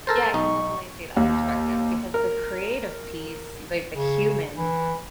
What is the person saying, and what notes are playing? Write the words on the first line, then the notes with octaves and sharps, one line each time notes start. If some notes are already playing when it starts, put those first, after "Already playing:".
Yeah. I can definitely see that perspective because the creative piece, like, the human
A4 A#4 C5 A6
B1 D#4 C#6
D#2
A#4
C#3
E3